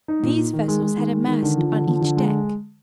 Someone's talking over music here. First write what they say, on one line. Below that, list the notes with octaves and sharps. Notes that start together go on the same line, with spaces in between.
These vessels had a mast on each deck.
D#4
A#2
D#4
D#3
G#3
G#3
D#3
G#3
D#3
D3
F3
D3
F3
D3
G#3